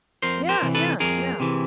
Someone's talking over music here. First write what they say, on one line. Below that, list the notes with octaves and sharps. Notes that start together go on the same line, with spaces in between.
Yeah, yeah, yeah,
F2 A#4 C5
A#4 C5
C3 E3
A4 B4
F2 G#4 A#4
C3 E3